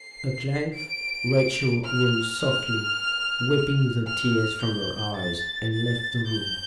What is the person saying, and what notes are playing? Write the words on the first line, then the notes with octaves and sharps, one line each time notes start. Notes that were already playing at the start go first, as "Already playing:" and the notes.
At length Rachel rose softly, wiping the tears from her eyes, and left the room.
Already playing: C7
D7
F6
F6
F6
G6
A6
A6
G6